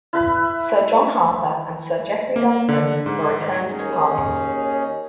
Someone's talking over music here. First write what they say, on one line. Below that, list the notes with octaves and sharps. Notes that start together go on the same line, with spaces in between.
Sir John Harper and Sir Jeffrey Dunstan were "returned to parliament".
E4 B4 B5
A#3
D3
G#2
D#2 C#4 D#4 G#4